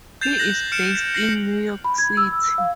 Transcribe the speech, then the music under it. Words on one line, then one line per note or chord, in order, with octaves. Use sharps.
He is based in New York City.
G6 A6 C7 E7 F7
F#6 A#6 F#7
F6 C#7 D7 E7
A#6 C7 F#7
B5
G#6
E6
F5